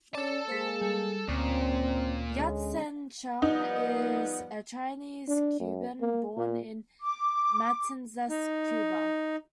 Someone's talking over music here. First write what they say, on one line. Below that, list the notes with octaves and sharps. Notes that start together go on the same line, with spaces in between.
Yat-Sen Chang is a Chinese Cuban born in Matanzas, Cuba.
C#4 A4 D5 A5
G#3 A#3 G#4 C5 B6
G3
D2 A#2 C4 C#4
D3 G#3 C#4
F3 G3 B3 D#4
D4
F#2
A#3
A#2
D6
D#4